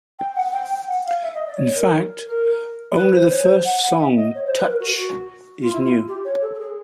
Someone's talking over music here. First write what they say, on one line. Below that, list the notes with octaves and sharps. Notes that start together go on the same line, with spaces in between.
In fact, only the first song, "Touch", is new.
G5
F#5
G5
G5
F#5
F5
E5
D#5
D5
C#5
A#4
A#4
B4
C5
C#5
C5
F#5
F#5
E5
D#5
C#5
C5
B4
A#4
F#4
F#4
F4
E4
F4
G4
C#5
A4
A4
G#4